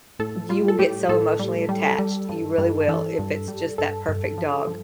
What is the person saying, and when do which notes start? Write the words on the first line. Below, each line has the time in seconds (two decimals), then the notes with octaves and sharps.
you will get so emotionally attached, you really will, if it's just that perfect dog,
0.19 A2 A4
0.49 G3 F4
0.68 A4
0.79 A2 G4
1.09 A2 A4
1.39 G3
1.69 G3
1.99 G3
2.29 G2
2.58 G2
2.88 E3 A4
3.19 G2
3.48 G3
3.78 G2 A4
4.08 G2
4.38 F3
4.67 F3